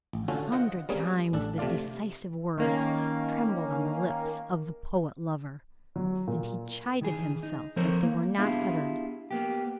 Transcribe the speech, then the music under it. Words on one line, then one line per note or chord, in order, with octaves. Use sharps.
A hundred times the decisive words trembled on the lips of the poet-lover, and he chided himself that they were not uttered.
A1
D3 C#4 F4 F#4 A4
F4 C5 D#5 F#5
G3 A#3 C4 C#4 G#4
A1 D4 A4
C3 A3 F4 D5 F5
D#3 A#3 C#4
F#3
A#2
D#3 E3 G#4
D#4
F3 C4 A4 A#4 C5 C#5
A#3
B3 D4 E4 F4 G4 G#4
A#3 B3 G4